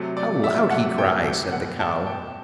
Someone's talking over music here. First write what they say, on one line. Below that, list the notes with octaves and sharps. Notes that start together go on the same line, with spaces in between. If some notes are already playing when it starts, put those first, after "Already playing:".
"How loud he cries!" said the cow.
Already playing: C3 F#3 A3
D5
E5
C3 F#3 A3 F#5
G5
G5
B2 A3 F#5
A5
G5